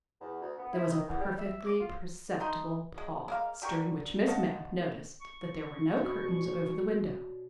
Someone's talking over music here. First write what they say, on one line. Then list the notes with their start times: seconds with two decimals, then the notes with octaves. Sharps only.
There was a perfectly perceptible pause, during which Miss Mapp noticed that there were no curtains over the window.
0.21 E2
0.41 D2
0.58 B3
0.73 E4
0.90 D#3
1.08 E2
1.21 G3
1.39 E5
1.66 D6
1.79 F4
2.40 A3 D#4 C6
2.98 G#3
3.28 G#3 A#3 F5
3.62 D3 G4 A#4 C#6
4.28 D#5 F5 F#5 A5
5.21 C#6
5.97 B2 C#4 D4